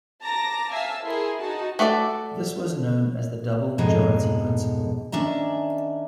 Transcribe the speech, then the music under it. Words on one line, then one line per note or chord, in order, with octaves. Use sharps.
This was known as the double majority principle.
A5 A#5 D6 A#6
E5 F5 G#5 A5 E6
E4 G#4 A#4 C6
D#4 F#4 A5
A3 F#4 A4 D5
F2 G#2 B2 D3 G#3 A#5
D#3 C#4 D4 E5 A#5